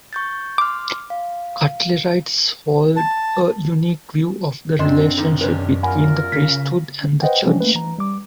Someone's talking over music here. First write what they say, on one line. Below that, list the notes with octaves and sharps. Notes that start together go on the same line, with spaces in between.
Cutlerites hold a unique view of the relationship between the priesthood and the church.
C#6 G6 A6
C6 D6 F6
F5
A5
F#2 C4 D4 D#5 C6
D3 D#3
C3 D#3 C#4 D4 A#4 B4
F4 A#4 F#5 G#5 B5
C#3 B6
B4 C5 D#5 F#5 G5
E3 F3 G3 C#4 D4
A3 A#3 B4
E3 A#5
G3 D6